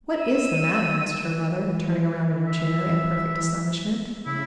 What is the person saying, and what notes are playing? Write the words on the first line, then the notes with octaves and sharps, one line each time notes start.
"What is the matter?" asked her mother, turning around in her chair in perfect astonishment.
E6 D#7
E3
E5
C#3 E4